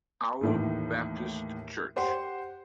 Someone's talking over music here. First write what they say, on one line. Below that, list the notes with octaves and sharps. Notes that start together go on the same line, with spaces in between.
Olive Baptist church.
D#2 A2 E3
G4 C5 F#5 C6